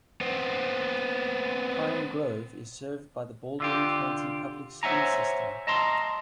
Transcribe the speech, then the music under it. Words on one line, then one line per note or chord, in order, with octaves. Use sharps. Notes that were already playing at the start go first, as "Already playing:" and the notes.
Pine Grove is served by the Baldwin County Public Schools system.
B3 C4
D3 F4 G4
C5 C#5 E5 F#5 G#5 A#5
D#5 A5 A#5 C6